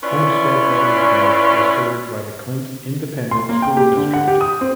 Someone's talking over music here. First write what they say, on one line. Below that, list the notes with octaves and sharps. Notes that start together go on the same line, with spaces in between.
Homestead Meadows North is served by the Clint Independent School District.
C#4 E4 F4 B4 C#5 D5
C6
A#3
G5
G4
D3
F#5
G4
D#6
C4